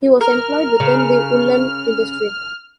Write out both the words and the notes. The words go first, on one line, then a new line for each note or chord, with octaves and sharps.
He was employed within the woollen industry.
A#4 F6
C#3